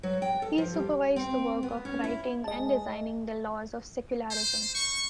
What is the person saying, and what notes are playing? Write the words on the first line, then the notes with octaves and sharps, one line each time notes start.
He supervised the work of writing and designing the laws of secularism.
F#3
G5
A4
F3
G3
C4
B3
C#4
E4
G#3 D#5 A5
C5
C#6